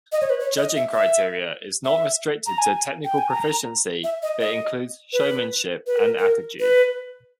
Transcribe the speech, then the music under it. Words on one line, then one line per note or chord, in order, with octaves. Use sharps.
Judging criteria is not restricted to technical proficiency, but includes showmanship and attitude.
D#5
C#5
B4
C#5
D#5
E5
E5
E5
A#5
G#5
G5
G#5
A#5
E5
D#5
D#5
B4
B4
A#4
A#4
B4